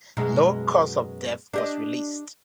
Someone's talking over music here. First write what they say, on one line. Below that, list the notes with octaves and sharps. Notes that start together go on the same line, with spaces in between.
No cause of death was released.
F#2 B2 G#3
D4 G4 D#5